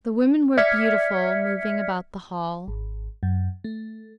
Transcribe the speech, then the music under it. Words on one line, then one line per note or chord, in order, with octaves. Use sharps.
The women were beautiful, moving about the hall.
D5 E5 F6 G#6 B6 C#7
G#1
F#2
A3